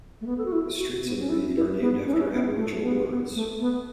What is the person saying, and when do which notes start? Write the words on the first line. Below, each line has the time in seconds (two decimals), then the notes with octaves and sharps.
The streets in Reid are named after aboriginal words.
0.21 A3
0.26 B3
0.38 A4
0.45 F#4
0.52 E4
0.78 F#4
1.04 B3
1.19 C#4
1.29 E4
1.55 E4
1.80 B3
2.06 C#4
2.14 E4
2.21 C#4
2.32 B3
2.57 A3
2.83 B3
3.09 B3
3.35 A3
3.60 B3